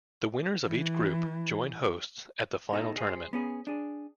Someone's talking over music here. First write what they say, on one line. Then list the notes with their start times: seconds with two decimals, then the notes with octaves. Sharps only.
The winners of each group join hosts at the Final Tournament.
0.66 E3
2.72 B2 D#4 A4 D#5
2.98 G#4 C5
3.33 B3 C#4 G#4
3.67 D4 G#4